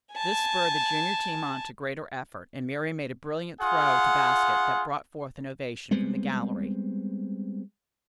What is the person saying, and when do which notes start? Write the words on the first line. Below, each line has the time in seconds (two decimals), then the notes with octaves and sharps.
This spurred the junior team on to greater effort, and Miriam made a brilliant throw to basket that brought forth an ovation from the gallery.
0.13 G#5 A5
3.61 F4 G#4 F#5
5.91 G3 G#3 B3 C4